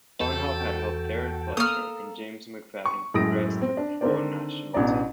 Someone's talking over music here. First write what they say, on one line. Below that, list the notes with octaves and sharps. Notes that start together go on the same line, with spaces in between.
Bonhof had helped Darren Fletcher and James McFadden progress to the full national team.
E2 F#4 A4 G5
A#3 A4 A#5 D#6 F6
C#6
F#2 A2 G#3 D#6 A#6 D7
C4
D4
D3 D#3 C4 A#4 C5 D5
A1 B2 D4 D5 A#5